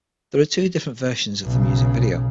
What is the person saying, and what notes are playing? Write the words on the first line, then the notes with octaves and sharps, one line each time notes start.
There are two different versions of the music video.
B1 C#3